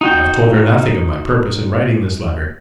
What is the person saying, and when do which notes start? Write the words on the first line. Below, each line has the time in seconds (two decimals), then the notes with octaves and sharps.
I have told her nothing of my purpose in writing this letter.
0.01 D#4 F#4 G5